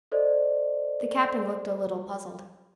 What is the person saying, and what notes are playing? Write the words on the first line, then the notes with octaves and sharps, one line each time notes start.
The Captain looked a little puzzled.
A4 C5 D5 D#5